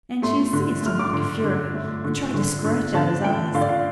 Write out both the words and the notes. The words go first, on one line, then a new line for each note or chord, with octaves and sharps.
And she seized him like a fury, and tried to scratch out his eyes.
A3 C6
D3
A3 F6
D6
D3 C6
D3
A3
D3
D3
D3
D3 A5
A3 G5
D3 F5
D5
F5